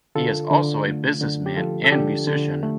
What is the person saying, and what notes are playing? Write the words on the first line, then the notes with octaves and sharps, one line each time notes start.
He is also a businessman and musician.
D3 F4 A4
D3
A3
D3
G4
F3 F4 A4
A4
D3 D4 G4
D3
A3